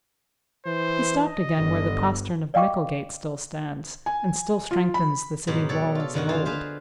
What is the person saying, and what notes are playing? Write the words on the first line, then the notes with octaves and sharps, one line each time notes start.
He stopped again where the postern of Micklegate still stands, and still strengthens the city wall as of old.
E3 C5
D#5
G1 D3
D5 D#5 F5 G5 C#6 D6
G#5
F4
B5
G#2 B2 F#3 G4
A4 C#5 D5 F#5
F4 A4
G2 D3 D#3 F#4
F4 G#4 C5 F5
G#4 B4 C5 F5